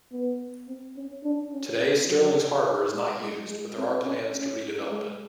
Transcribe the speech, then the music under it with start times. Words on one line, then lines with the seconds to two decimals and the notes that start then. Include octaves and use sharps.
Today Stirling's harbour is not used but there are plans to redevelop it.
0.12 B3
0.68 C4
0.96 C#4
1.24 D4
1.53 C#4
1.80 C4
2.08 F#3
2.94 G#3
3.21 G#3
3.49 G#3
3.77 C4
4.05 C#4
4.33 C#4
4.90 G#3